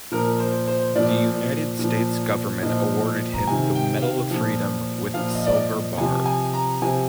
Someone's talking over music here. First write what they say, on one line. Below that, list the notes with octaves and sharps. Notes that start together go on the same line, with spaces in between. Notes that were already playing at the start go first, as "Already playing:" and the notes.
The United States government awarded him the Medal of Freedom with Silver Bar.
A#2 F3 A#4
C5
C5
A#2 F3 D5
A#2 F3
A#2 F3 D#5
A#5
C3 D#3 G#5
G5
F5
A#2 F3
A#2 F3 F5
D#5
D5
D#5
C3 F3 G#5
G#5
A#5
C3 F3 G#5